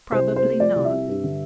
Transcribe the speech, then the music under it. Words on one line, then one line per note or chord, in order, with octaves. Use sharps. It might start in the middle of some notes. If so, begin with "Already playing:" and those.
Probably not.
C2 C5
C3
C5
A3
F3 D5
C2
E5
C3
G2
D3